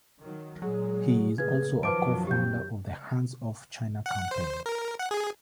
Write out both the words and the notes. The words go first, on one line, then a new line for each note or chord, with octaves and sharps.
He is also a co-founder of the Hands off China Campaign.
D#3 F#3
A#2 F#3 G#3 G#4
A2 C#3 A#3 G#4 B4 G#6
F#2 D#3 F3 F#3 B4 A5 D6 D7
C4 G4 G6
F#5
C5
A#4
F#5
G#4